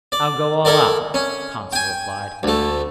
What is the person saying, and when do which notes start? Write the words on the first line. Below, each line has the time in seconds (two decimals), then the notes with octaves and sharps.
"I'll go all out," Conseil replied.
0.12 D5
0.65 E4 A4 A#4 D5
1.14 C#4
1.73 G5 G#5
2.43 D2 A3